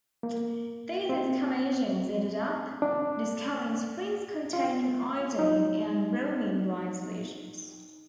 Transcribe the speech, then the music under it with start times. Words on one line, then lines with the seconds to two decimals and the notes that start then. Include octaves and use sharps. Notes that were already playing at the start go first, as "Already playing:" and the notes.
These excavations ended up discovering springs containing iodine and bromine brine solutions.
0.23 A#3
1.09 C4
2.82 D4
4.53 F4
5.39 D#4